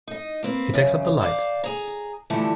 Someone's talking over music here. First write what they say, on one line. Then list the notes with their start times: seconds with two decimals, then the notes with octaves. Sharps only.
He takes up the light.
0.08 D#4 D#5
0.43 A#3 C4 B4
0.74 F#2 C#3
1.21 C5 D5 F5
1.63 G#4 A#5
2.30 G2 D3 E3 F3 G3 A3